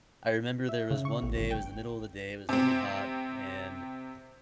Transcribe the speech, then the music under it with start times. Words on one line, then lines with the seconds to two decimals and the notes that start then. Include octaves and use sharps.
I remember there was one day, it was the middle of the day, it was really hot, and,
0.69 E5
0.91 C#3
1.05 C#6
1.23 A1
1.37 G1
1.51 G5
2.49 C3 C4